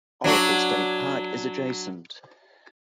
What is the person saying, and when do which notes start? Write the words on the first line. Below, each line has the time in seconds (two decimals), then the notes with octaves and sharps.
Oracle State Park is adjacent.
0.24 F#3 D4 F#4